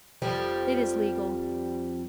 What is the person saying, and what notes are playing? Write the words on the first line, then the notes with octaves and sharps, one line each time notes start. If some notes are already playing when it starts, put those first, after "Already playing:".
It is legal.
F2 F3 G3